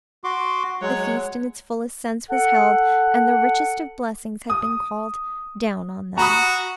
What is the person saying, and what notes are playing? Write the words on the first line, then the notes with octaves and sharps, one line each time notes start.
The feast, in its fullest sense, was held, and the richest of blessings had been called down on them.
F#4 C6 D6
F#3 G#3 C#5 F#5
A4 F#5
D#6
F#4 A#5 B5 D#6